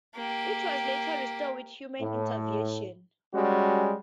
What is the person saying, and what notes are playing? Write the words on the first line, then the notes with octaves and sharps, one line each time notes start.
It was later restored with human intervention.
A#3 G4
A2
G3 G#3 C#4 F#4